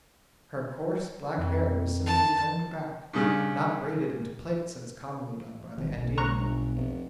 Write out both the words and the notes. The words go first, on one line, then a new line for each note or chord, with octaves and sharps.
Her coarse, black hair was simply combed back, not braided into plaits as commonly done by the Andean women.
F2
A5
G2 C#3 F6
G1 C3 D#3
F#1 B1
A#5 C#6 F#6
G1
F1